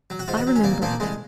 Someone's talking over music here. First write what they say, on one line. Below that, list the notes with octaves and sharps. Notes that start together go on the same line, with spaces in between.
"I remember it."
F#3
F#4
G#2 F4
F#4
F#3
C#4
C2 A#3
A#2 F3 A#3
C2 G#3